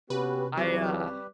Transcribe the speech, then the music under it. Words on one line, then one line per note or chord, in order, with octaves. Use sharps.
I, uh
C3 B3 C#4 F#4 G4 B4
C#2 E3 F#3 G3 C4 G4 B4 C#6